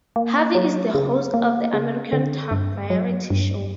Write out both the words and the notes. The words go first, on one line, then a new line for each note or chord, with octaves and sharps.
Harvey is the host of the American talk-variety show.
A#3
F#3
C#3
A#3
C#3
D3
G2
F#3
G2